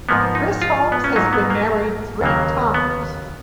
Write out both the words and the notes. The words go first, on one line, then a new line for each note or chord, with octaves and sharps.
Chris Holmes has been married three times.
G#2 F3 A#3 B3
D#4
F4
B3
C#4
G#2 F#3 A#3 D#4
B3
A#3
D#2 C#3 F#3 A#3
B3